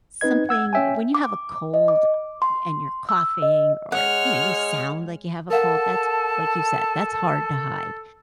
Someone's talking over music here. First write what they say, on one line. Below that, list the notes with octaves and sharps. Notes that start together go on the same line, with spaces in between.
something when you have a cold, uh, and you're coughing, or, you know, you sound like you have a cold, that's like you said, that's hard to hide,
C4 D#4 B4 D#5 G#6
F#5 E6 G#6
C#4 C#5 E5 G5 G#5
D6
D#5
D6
C6
E6
D#5
G#3 C#5 F#5 F6
A4 A#4 F5 F#5 A5